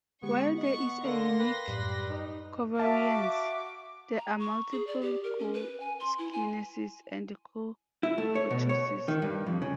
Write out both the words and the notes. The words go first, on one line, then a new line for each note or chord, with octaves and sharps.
While there is a unique covariance, there are multiple co-skewnesses and co-kurtoses.
D3 G#3 B3 G4 C#6
D#5 F#5 C#6
D3 A#3 C6 A#6
B4 G5 B5
F#2 A2 G3
D#4
F#4 E5 F5 A5 D6
A#5
C#6
G#4
D5
G4
A#4
C#4
B4
G#5
C6
E4
G#5
E4
A3
C#5
B2
C#5
D#3
G2
F2
C#3